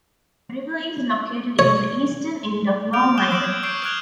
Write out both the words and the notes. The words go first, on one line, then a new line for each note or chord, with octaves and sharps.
The river is located in the eastern end of Long Island.
C#5
F6 G6 D7 F7
D6 D#6 F#6 G6 E7 G7
E6 D7 E7 F#7
G#6
C#6 G6 C7 D7
F6 F#6 G#6 F7 G7